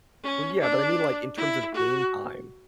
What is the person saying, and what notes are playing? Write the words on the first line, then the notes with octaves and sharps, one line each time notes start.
Well yeah, but I mean, like, in terms of game time,
C#4
D4
E4
F#4